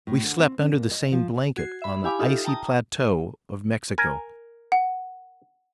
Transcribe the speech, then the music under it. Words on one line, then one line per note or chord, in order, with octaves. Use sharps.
We slept under the same blanket on the icy plateaux of Mexico.
A2
D3
C4
C#4
A#2
D#5
F3
F#4 G#6 C7
E5 B5
E4 G4 F5 G#5 B5 D6
D#4 F4 G4 A4 E5
G5 A5 A#5 D#6
A#4 G#5
F#5